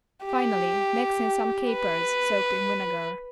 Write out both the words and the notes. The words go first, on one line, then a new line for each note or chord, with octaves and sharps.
Finally mix in some capers soaked in vinegar.
G4
B4